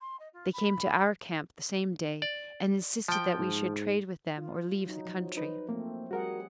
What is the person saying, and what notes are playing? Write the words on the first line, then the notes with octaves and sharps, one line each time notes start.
They came to our camp the same day and insisted that we should trade with them or leave the country.
C6
D#5
F4
B5
D5
F3 G5
G#2
F4
F#3 D#4
F3 F#3
D#4 B4
F3 A3 A#3 C4
G3 F#4 G#4 A#4 F#5